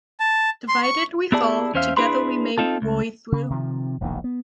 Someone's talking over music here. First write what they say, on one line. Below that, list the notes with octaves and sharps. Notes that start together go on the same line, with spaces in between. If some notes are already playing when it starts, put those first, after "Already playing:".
Divided, we fall, together we may worry through.
A5
C6
C#6
B3 E4 G4 G#4 D5 A5
E2 C#4 C5 E5 F5
D4 E4 G#4 B4 B5 C6
C4 D#4 F4 A4
C#2
C#3
C3 D#3 F3
E1 A#1 D#2 D#3
B3